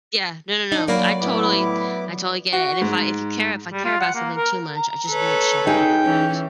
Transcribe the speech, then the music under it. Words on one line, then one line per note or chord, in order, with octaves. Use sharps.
Yeah, no, no, no, I totally I totally get it, and if I if you care if I care about something too much, I just won't shut up about it.
D4 D#4
F#3 A#3 D5 B5
A2 B3 E4 D6
F#4
G#2
G3
F4
F#5
A#3
A#4
A#5
A4 B4 C#5
D#4 G#4 G5
E3 C#4